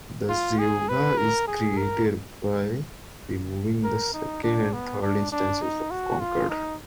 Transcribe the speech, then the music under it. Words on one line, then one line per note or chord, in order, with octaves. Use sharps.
The zeugma is created by removing the second and third instances of "conquered".
F4
G#4
B4
A#4
G#4
A#4
A#4
D#4
D4
B3
D4
D4
D#4
F#4
F4
D#4